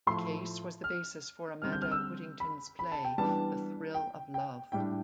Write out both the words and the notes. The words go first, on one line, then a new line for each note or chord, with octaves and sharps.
The case was the basis for Amanda Whittington's play "The Thrill of Love".
A2 F3 A3 C6
F6
D3 G3 C4 F6
G6
F6
E6
B5
B5
A5
G5
E3 G3 B3 D4 A5
G5
G5
A2 G3 D4 G5